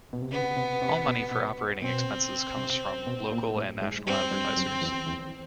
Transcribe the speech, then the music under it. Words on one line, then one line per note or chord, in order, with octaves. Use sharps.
All money for operating expenses comes from local and national advertisers.
B2
C3
C#3 B3
C3
C3
B2
B2
B2 C4
C3
B2
A#2
A2
G#2
G2 C4
G2
F#2
E2
E2